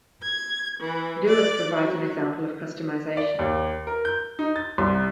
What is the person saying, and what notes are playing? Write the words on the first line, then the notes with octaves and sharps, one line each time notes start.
Lewis provides an example of customization.
G#6
E3
D5
F#3
D5
D#2
A#4
G6
D#4
A6
C2